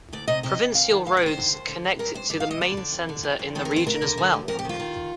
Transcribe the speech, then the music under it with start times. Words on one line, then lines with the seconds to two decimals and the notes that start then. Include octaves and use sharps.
Provincial roads connect it to the main centre in the region as well.
0.13 D2 D5
0.28 C3 D#5
0.43 C3 D#5
0.59 C3
0.74 D#2 F5
0.91 D#3
1.05 D#3 F5
1.17 D5
1.22 D#3 C5
1.37 D3
1.53 D#2
1.68 D3
1.84 D#2
1.99 G2 A#4
2.14 G2 C5
2.30 G2 D5
2.40 F5
2.46 G2 D#5
2.61 D3 D5
2.77 D3
2.92 F2
3.09 D3
3.23 F2
3.39 F2
3.55 D#3 A4
3.65 A#4
3.71 F2
3.76 C5
3.87 D2 A#4
4.02 D3
4.17 D3
4.33 D2
4.48 F2 A#4
4.59 G4
4.65 D#3 F4
4.80 D#3